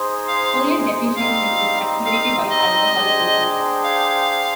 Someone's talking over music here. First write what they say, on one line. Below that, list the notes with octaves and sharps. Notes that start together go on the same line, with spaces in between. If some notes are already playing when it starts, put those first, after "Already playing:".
Folate deficiency is accelerated by alcohol consumption.
Already playing: D#4 G#4 C5
F5
G3 C4 D#4 F5
F5
D#5
D4 G#4 C5 G5
F5